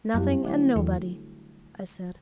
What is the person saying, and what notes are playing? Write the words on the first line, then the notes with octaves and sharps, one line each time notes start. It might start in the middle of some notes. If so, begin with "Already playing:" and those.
"Nothing and nobody!" I said.
F#2 G3 B3 E4 G4
D3 F#3 A3 E4
E2 A3 D4 F#4 A4